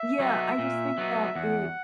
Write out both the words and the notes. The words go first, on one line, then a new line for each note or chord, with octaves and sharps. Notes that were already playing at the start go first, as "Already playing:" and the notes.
Yeah, I just think that it
Already playing: E5
F#3 B3 D#4
A#2
F#3 B3 D#4
E2 F#5